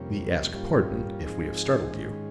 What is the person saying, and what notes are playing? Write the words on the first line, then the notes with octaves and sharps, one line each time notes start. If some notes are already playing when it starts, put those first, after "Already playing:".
"We ask pardon if we have startled you."
Already playing: F2 C3 G3 A#3 C#4
G2 G3 A#3 C#4 F4
G#2 F3 C4 D#4 G#4
G#2 D#3 G#3 C#4